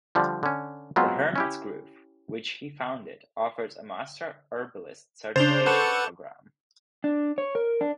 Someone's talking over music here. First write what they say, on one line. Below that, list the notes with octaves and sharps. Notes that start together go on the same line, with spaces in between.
The Hermit's Grove, which he founded, offers a Master Herbalist certification program.
D3 F3 G3
D3 C#4
F#3 G#3 B3 C4 F4
C#4 E4 G4
C#3 D4 C5 A6 F7 G7
A4 B4 F#5 C#6 D6 G6 E7
D4
C#5
A#4
D4